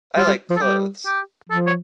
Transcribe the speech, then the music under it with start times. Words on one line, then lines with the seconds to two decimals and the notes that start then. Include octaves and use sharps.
I like clothes.
0.17 G3 F4
0.27 G3
0.50 F3
0.56 A4
0.61 G3 G4
1.06 G4
1.50 F3 A4
1.67 C#5